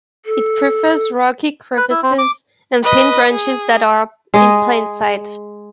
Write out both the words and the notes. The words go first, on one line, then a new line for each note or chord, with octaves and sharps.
It prefers rocky crevices and thin branches that are in plain sight.
A4
B4
E4
C4
D6
B4 D#5
G#4
G#3 D#5